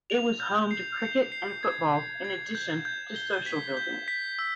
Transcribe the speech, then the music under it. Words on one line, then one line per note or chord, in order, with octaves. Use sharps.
It was home to cricket and football in addition to social buildings.
F7
G6
C7
G6
C7
G#6
C7
G#6
G6
G6
G7
B6
G6
B6
E6